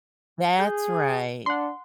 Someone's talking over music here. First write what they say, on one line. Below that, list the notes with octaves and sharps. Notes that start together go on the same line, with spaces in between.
That's right.
G#4 G6
D4 F#5 C6